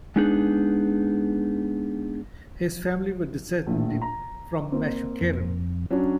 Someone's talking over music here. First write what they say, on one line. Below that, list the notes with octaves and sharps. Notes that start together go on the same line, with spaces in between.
His family were descended from meshuchrarim.
G#3 B3 D4 D#4 G#4
A#1 A2
A#5
A#3 C4
F2
F#3 C#4 D4